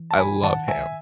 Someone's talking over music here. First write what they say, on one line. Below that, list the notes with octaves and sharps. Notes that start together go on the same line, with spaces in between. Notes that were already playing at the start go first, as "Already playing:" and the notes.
I love ham,
Already playing: E3
A5
G#5 B5
D#3 F#5 A5
E5 G#5